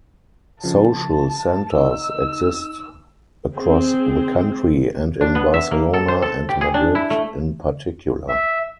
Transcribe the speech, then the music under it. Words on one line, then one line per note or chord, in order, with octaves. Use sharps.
Social centres exist across the country and in Barcelona and Madrid in particular.
C#3 F3 A5
D#4 E6
C4 G#4
D4
B3
E5
A#3
A4
C5
A4
G4
G#4
D4
E4
A3
E5